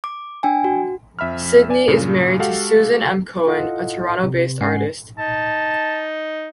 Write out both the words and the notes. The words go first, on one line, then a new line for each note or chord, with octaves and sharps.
Sidney is married to Susan M. Cohen, a Toronto-based artist.
D6
D4 G5 G#5
F#4
F2 E5 B5 F6
D5 G#5
G2 A#2 C#3
G#3 F#4 G4 A4 F5 F#5
E4 F4 A4 D#5 F5 F#5
C3
G#2 G#3 C#4 F#5 G#5 C7
D#4 A5